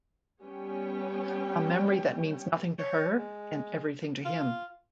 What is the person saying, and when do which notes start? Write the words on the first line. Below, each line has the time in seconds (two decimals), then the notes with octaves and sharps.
A memory that means nothing to her and everything to him.
0.42 G3 B3 C#4 C#5 G5
2.79 C#5
3.15 G#3
4.25 F4